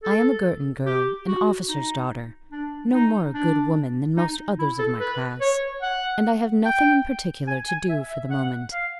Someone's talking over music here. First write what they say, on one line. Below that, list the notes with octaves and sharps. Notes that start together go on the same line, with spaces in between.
'I am a Girton girl, an officer's daughter, no more a good woman than most others of my class; and I have nothing in particular to do for the moment.
A4
G4
F#4
D#4
D4
D#4
D4
D#4
E4
A4
B4
C#5
F#5
G5
G#5
G#5
E5
E5
F#5
F5